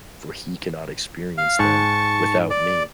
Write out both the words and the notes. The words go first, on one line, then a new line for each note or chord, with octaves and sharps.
for he cannot experience them without me.
F5
G#2 A5 C#6
D5